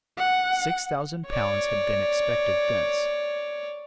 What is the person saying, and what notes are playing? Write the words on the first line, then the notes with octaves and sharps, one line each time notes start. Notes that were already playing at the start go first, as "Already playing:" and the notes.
Six thousand pounds had been expected thence.
F#5
C#5 D5